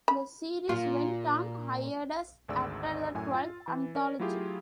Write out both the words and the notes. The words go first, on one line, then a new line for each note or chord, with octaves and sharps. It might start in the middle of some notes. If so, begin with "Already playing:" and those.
The series went on hiatus after the twelfth anthology.
B5
A#2 F4
G#1 D2 G#4 D5 E6
F#2 A2 G#5
F4 A6
E3
C#4 A#4 D5
F#3 A3 E4 F4 G4 G#4